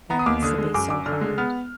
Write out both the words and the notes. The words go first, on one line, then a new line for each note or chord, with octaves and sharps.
That has to be so hard.
B3 A#5
D#6
D#2 D6
D3 D#6
G#3
F#2 D6
F#2 D6
D3 F6
G#3
B3 F6